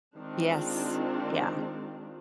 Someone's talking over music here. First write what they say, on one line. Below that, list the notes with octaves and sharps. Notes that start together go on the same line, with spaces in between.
Yes. Yeah.
D#3 G#3 C4 D4 F4